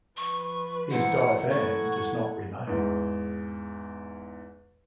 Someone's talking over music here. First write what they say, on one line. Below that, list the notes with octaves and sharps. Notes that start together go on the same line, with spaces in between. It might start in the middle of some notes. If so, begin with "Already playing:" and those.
His "Divan" does not remain.
F3 B4 C#6
E3 D#4 C5 F#5
A2 A4 F#5 C#6 G#6
E2 G#2